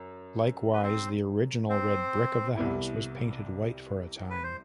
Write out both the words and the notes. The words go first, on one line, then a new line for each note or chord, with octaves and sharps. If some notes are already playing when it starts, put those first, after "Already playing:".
Likewise, the original red brick of the house was painted white for a time.
Already playing: F#2
B4
C4 C5
C4 C5
C2 C3 G3 B3 E4
B4
C5